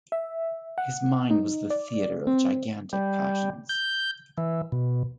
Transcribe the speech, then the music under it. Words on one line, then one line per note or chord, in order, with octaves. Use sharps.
His mind was the theatre of gigantic passions.
E5
F#5
D#4
D5
C4
G3
G6
E3
B2